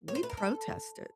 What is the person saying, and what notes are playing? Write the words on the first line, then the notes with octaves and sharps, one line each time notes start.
we protested,
C#5
C5
B4
A#4
A4